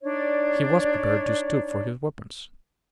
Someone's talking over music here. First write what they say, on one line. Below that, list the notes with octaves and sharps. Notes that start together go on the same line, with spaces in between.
He was prepared to stoop for his weapons.
D4 D#4 C#5 D5